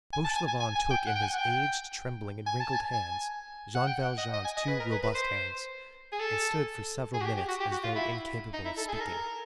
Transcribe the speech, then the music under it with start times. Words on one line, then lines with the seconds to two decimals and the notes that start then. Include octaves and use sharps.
Fauchelevent took in his aged, trembling, and wrinkled hands Jean Valjean's two robust hands, and stood for several minutes as though incapable of speaking.
0.13 G#5
0.25 A5
0.36 G#5
0.48 G#5
0.60 G#5
0.75 G#5
0.91 G5
1.07 F#5
1.15 G5
1.22 G#5
1.34 F#5
1.38 G5
2.46 G#5
2.60 A5
2.74 G#5
2.93 G#5
3.75 F#5
3.87 G5
4.03 F#5
4.18 D#5
4.33 D#5
4.45 G#5
4.57 D#5
4.68 B4
4.80 A#4
4.91 B4
5.03 B4
5.15 C5
6.12 G#4
6.20 A4
7.14 G#4
7.21 F#4
7.25 G4
7.37 G4
7.49 F#4
7.60 G4
7.72 F#4
7.84 F4
7.96 E4
8.54 D#4
8.65 E4
8.77 A4
8.88 G#4
8.94 A4
9.00 A#4